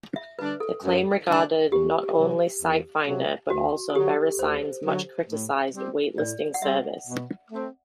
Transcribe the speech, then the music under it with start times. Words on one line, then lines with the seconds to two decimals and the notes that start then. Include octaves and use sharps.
The claim regarded not only Site Finder, but also VeriSign's much-criticised Wait Listing Service.
0.16 E5
0.39 D3 G3 D4 B4
0.60 A4
0.82 F#2
1.27 D3 G3 D4
1.72 E2 G4
2.16 C3 F#3
2.61 E2
3.06 C3 F#3
3.50 D2 F#4
3.90 A4
3.95 D3 F#3 G4
4.39 D2 C5
4.84 D3 F#3
5.29 A2
5.73 G3 C4
6.17 A2 D5
6.54 F#5
6.62 G3 C4 E5
7.08 B2
7.51 A3 C4